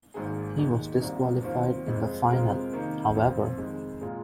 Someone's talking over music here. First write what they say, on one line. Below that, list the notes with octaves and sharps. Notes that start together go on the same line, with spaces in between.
He was disqualified in the final, however.
G#1 G#2 D#3 A#3 G#4
D#2 D#3 G#3
C2 C3 F3 A#3
D#2 D#3 C4 F4
F2 C3 G#3 C4
C3 G#3 C4 F4 A#4
C3 D#3 A#3 D#4
F2 F3 C4 F4
C3 D#3 G#3
A#2 G#3 F4 G#4